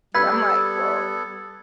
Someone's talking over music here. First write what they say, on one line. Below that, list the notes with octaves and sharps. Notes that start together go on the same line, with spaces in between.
and I'm like, "Well,
G3 B3 A4 B4 E6 G#6